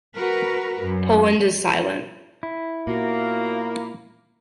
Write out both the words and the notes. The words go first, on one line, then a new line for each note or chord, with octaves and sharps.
Poland is silent...
F#4 A#4 B4
F#2
E4
A#2 F#3 A#3 B3 F#4